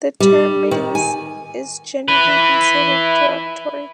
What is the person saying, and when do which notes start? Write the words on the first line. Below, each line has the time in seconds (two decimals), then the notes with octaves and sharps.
The term "middies" is generally considered derogatory.
0.20 G3
0.71 D#3
0.95 G#5
2.08 E4 B4